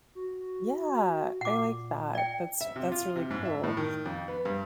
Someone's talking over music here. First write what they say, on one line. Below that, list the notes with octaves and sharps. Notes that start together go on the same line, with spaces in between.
Yeah. I like that. That's that's really cool.
F#4
A#2 F#5 D6
D5 G5
E5
C3
F4
C3
G#2
E5
A2
D#3
F2
B3
G2